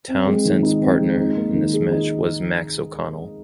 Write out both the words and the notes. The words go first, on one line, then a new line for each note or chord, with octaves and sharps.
Townsend's partner in this match was Max O'Connell.
C4
G#3
D#3
D#4
C4
G#3
D#4
A#3
D#3
G#4
D#4